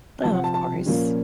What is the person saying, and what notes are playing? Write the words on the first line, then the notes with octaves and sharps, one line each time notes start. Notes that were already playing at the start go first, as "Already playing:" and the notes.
Oh, of course.
C3 F3 C4 A5
F#5
A5
A5
A#2 F3 A#3 C#4